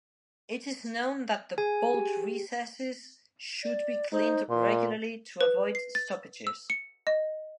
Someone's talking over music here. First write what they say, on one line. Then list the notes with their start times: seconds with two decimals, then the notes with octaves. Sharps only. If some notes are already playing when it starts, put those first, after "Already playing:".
It is known that the bolt recesses should be cleaned regularly to avoid stoppages.
1.58 G#4 G#5
1.94 G4
3.64 D5
4.12 D#4 C5
4.49 A#2 C6
5.41 B4
5.75 C7
5.95 A6
6.47 E6
6.70 C#7
7.07 D#5